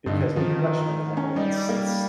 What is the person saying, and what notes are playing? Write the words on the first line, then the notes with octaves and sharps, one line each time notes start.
because you touch them that way, it's it's
G2 D3 D#4
D#3 F3
C#4
G3 D#4
A#3